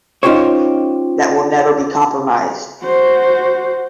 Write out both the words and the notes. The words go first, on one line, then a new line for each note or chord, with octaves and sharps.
That will never be compromised.
C#4 D#4 F4 G4 C5 C#5
F#4 C5